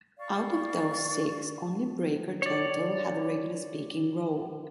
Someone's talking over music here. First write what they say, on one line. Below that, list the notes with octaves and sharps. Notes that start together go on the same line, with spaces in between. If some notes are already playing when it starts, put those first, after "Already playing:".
Out of those six, only Braker Turtle had a regular speaking role.
D5 F5 C#6
C#5 D5